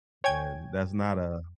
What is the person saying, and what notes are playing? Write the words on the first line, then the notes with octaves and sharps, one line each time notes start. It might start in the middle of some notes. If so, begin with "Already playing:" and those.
and, that's not a
C#5 G5 G#5 G#6